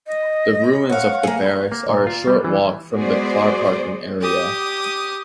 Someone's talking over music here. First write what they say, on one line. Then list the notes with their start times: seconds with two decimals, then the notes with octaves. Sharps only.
The ruins of the barracks are a short walk from the car parking area.
0.07 D#5
0.90 C#5 F5 F#5
1.23 A#3 G#4
1.72 A#3
1.89 A#2
2.07 F4
2.27 G3
2.44 E3
2.93 G#3 B3 F#4 G#4 C5 D5
4.21 G4 D#6